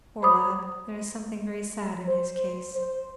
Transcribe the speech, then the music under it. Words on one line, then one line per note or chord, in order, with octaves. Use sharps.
Poor lad, there is something very sad in his case.
C5 B5 D6 D#6
C5
C5